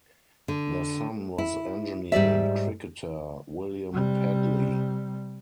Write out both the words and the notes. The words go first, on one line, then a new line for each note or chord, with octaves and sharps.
Their son was engineer and cricketer William Pedley.
D3
E4
G#2 G3 D5 E5
C3 G3